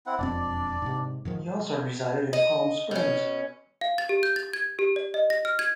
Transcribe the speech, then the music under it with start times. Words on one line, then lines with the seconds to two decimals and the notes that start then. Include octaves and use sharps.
He also resided in Palm Springs.
0.06 C4 E4 F#5
0.19 E1 F2 C4 D4 D5
0.82 G#2 C3
1.25 G#2 D#3 F3
2.33 D#5
2.91 B2 C#4
3.81 F5
3.98 A6
4.09 G4
4.23 G6
4.36 A6
4.54 G#6
4.79 G4
4.96 D5
5.14 D#5
5.30 A#6
5.45 F6
5.59 G#6